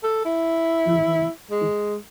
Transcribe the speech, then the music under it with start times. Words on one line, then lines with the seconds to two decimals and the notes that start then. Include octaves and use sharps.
Mhm, mm.
0.03 A4
0.25 E4
1.51 G#3